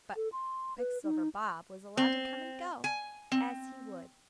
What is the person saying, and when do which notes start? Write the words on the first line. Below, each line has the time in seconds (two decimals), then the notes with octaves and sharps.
But "Quicksilver Bob" was allowed to come and go as he would.
0.16 A4
0.32 C6
0.78 B4
1.04 D#4
1.97 C4
2.84 G#5
3.32 C4